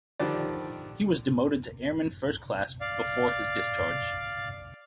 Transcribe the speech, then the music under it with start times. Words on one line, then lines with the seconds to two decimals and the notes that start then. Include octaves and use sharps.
He was demoted to Airman First Class before his discharge.
0.19 D3 D#3 F3 G3 D5
2.81 D5 F5